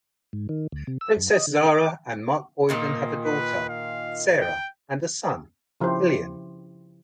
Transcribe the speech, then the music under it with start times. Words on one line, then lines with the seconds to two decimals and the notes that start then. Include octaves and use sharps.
Princess Zahra and Mark Boyden have a daughter, Sara, and a son, Iliyan.
0.33 G#2
0.49 D#3
0.72 D2
0.87 C3
1.01 E6
1.16 F#2
1.31 D#5
1.47 D3
1.75 D6
2.69 A#2 D#3 A#3
3.25 B4
3.69 F5
4.41 G5
5.80 C#3 F3 E4 G4 C5